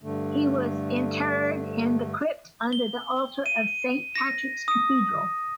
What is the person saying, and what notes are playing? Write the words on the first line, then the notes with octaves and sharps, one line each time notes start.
He was interred in the crypt under the altar of Saint Patrick's Cathedral.
G2 D3 A3
G7
D#7
A#6
D#6